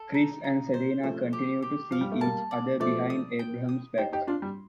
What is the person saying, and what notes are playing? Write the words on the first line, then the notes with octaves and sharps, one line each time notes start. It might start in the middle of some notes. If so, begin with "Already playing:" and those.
Chris and Selena continue to see each other behind Abraham's back.
Already playing: A4
D#4
D#4
C5
F3 A3 C5
G4
G4
F3 F5
G3
A3
G3 A#3 A5
D5
F3 A3 D5
D#6
G5
D#6
D#4 G4 C5
D#4 G4
D4 F4 C6
G3